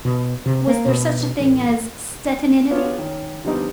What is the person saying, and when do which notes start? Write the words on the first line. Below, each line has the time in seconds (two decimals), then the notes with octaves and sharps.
Was there such a thing as Stettininity?
0.05 B2
0.46 C3
0.67 A#3
0.86 B2
1.40 A1
2.71 B3 C#4 D4 F4 C#5
2.98 D#3 C#4
3.44 D3 F3 G3 B3 D#4